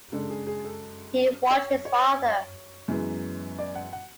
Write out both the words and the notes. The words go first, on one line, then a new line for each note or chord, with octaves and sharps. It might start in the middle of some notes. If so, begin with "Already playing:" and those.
He watched his father.
C#3 G#3 D4 A4
G#4
G#4
A4
C#5
C#5
F#2 E3 G#3 B3
D5
F#5
F#5